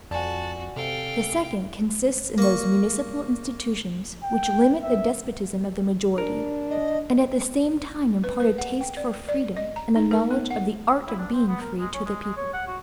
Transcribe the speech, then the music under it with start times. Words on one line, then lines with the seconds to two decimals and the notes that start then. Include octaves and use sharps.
The second consists in those municipal institutions which limit the despotism of the majority, and at the same time impart a taste for freedom and a knowledge of the art of being free to the people.
0.11 F2 F#4 D5 G#5 A5
0.76 C3 A4 F5 G5
2.38 A#3 C#6
4.23 G5
4.82 E5
6.18 D4 A#4
6.70 D#5
8.24 B4
8.40 B4
8.58 F#5
8.81 G5
8.97 D5
9.29 D5
9.57 D#5
9.76 A#5
9.96 D#4
10.11 A#4
10.31 B3
10.51 F#5
11.07 E4
11.19 D4
11.33 C4
11.48 B3
11.61 A#4
11.78 G#3
11.94 C#4
12.05 G#3
12.22 G#3
12.36 C#5
12.53 F#5
12.67 F#4